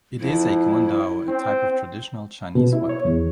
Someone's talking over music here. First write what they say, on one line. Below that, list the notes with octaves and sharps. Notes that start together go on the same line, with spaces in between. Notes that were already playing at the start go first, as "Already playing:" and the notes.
It is a guandao, a type of traditional Chinese weapon.
F2 E4
C4
B2
E4
C#5
E2